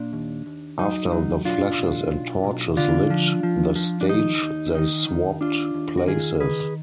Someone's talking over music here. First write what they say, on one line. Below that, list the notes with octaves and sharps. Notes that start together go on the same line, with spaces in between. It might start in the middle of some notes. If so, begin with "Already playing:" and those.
After the flashes and torches lit the stage, they swapped places.
Already playing: A#2 D4
D#2
D#2
F#3 D#4
F#3
B1 D4 F4
B1
B1
B1
D3 D4 F4
F3
F3
F3
D4
D#2 D#4
D#2
D#3 D#4
D#3
D#2 D4 F4
D#2
F#4
D#3 F4 G#4
D#3 G#4 B4